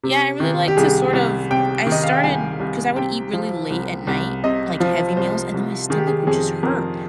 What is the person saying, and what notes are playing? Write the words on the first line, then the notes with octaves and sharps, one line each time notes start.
Yeah, I really like to sort of I started 'cause I would eat really late at night, like, heavy meals, and then my stomach would just hurt,
C3
D#3
G4
C2 G#4
C2
C3 G5
D#3
D#5
F5
G5
C2 G#5
C2
C3 G5
F3
C2
C2
C3 D#5
F3
C2 C5
C2
D#3 G#4
G4
G#4
F2 G#4
F2 A#4